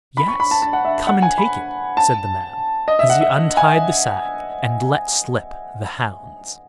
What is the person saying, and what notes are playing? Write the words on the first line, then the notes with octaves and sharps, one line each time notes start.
'Yes, come and take it', said the man, as he untied the sack and let slip the hounds.
B5
C#6
B5
A5
A5
F#5
E5
F#5
G#5
B5
A5
D#5
E5
F#5
E5
G#5